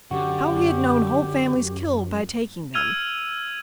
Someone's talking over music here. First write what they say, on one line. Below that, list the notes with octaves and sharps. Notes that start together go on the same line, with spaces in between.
How he had known whole families killed by taking them.
F#2 D3 F#4 G4
E6 F6 G#6 D#7 F7